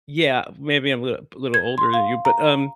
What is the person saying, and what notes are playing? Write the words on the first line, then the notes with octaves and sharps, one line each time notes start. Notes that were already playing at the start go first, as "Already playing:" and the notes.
Yeah, maybe I'm a li b little older than you, but, um
G#6
C6
F5
A#5